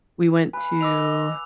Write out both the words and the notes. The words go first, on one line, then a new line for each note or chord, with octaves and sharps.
we went to,
B4 F5 G#5
D#5 D6 E6 F7